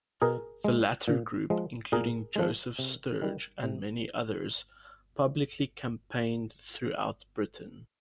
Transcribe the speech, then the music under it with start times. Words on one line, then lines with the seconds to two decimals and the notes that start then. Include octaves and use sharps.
The latter group, including Joseph Sturge and many others, publicly campaigned throughout Britain.
0.22 B2 G#4 A#4
0.64 G#3
1.08 A#2
1.50 F3 G#3
1.92 A#2 G#4 A#4
2.36 F3 G#3
2.79 C3
3.22 D#3 G3
3.63 C3